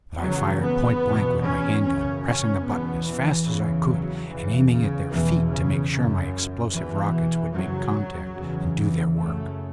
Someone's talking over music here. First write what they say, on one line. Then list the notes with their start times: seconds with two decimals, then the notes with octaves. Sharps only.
But I fired pointblank with my hand-gun, pressing the button as fast as I could and aiming at their feet to make sure my explosive rockets would make contact and do their work.
0.21 E2 C#3 F#3
0.62 B3
1.02 E2 B2
1.43 C#4
1.84 F#2 C#3 C#4
2.25 C#4
2.65 E2 B2 B3
3.06 E3
3.47 E2 C#3 E3
3.88 F#3
4.28 E2 C#3 E3
4.70 C#3
5.10 E2 B2 E3
5.51 C#3
5.92 F#2 C#3
6.73 E2 B2 E3
7.54 F#2 C#3 F#3
8.36 E2 C#3
8.77 E3
9.17 F#2 C#3 A3